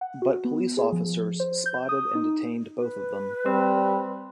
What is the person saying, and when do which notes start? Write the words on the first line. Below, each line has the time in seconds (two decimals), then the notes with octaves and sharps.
But police officers spotted and detained both of them.
0.01 F#5
0.22 F#4
0.45 B3
0.77 G#4
0.92 F3
1.40 C5
1.66 G6
1.89 D#6
2.15 D#4
2.79 B4
3.46 G3 C4